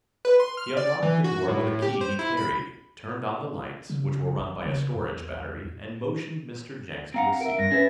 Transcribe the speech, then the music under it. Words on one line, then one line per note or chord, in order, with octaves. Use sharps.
He unlocked the door with a key he carried, turned on the lights, which were run by a storage battery, and motioned Mr. Jenks to a seat.
B4
C6
F6
D5
E3
F#4
A2
G4
C5
E4
B5
C#3
G#1
C#3
E2
C4 F5 F#5 A#5
A#4 E5 D7
G2 A#6
C#4 G#4 B4 E5 A6